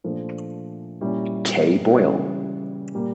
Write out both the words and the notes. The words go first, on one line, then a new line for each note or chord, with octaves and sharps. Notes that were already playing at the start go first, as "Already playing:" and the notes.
Kay Boyle.
A#2 F3 A3 D4
A#2 G3 C#4 E4
C#3 E3 G3
A#2 G3 A#3